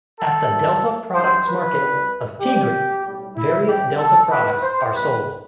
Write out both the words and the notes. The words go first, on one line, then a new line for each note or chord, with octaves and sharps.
At the Delta Products Market of Tigre, various Delta products are sold.
A4
E2 C3 E3 G3
G2 E3 G3 C5
B4
C2 B2 G3
G2 D3 G3 G4
B1 A2 G3
E4
A1 A2 E3 G3 G4
A4
B1 A2 E3 G3 B4
C5
B1 A2 G3 B4